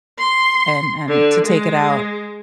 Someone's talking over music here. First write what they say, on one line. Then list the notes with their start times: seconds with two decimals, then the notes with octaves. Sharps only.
and and to take it out,
0.19 C6
1.08 D3
1.46 G#3